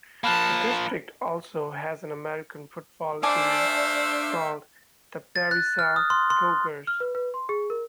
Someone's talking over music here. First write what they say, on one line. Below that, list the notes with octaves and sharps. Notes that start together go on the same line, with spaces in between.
The district also has an American football team called the Berryessa Cougars.
F3 A#3 A5 B5 F6 F#6
A3 D4 C5 E5 F5 G#5 A5 D6
A6
F#6
F6
D#6
C6
C6
F6
B4
B4
C6
G#4
A#4